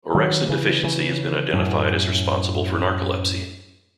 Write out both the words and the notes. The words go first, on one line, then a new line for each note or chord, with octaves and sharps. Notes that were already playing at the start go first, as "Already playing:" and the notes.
Orexin deficiency has been identified as responsible for narcolepsy.
D#3 F#3
C#3 E3
C#3 E3
F#2 A2